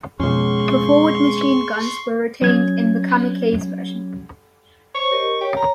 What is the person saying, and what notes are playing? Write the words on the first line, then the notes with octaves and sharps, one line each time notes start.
The forward machine guns were retained in the "kamikaze" version.
F2 B2 G#3 B3 C#4 G#4 C6 C#6
F#3 C#4 G#6
C5 C#5 C#6
G4 A#4 D#5
G4 C#5
A#5